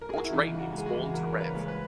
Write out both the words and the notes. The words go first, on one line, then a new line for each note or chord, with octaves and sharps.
George Rainy was born to Rev.
A#4
G#4
F#4
E4
E2 D#4
C#3
F#4
G#3
G#4
F#4
E2
E2 A#4
C#3 C#5
B4
G#3
B4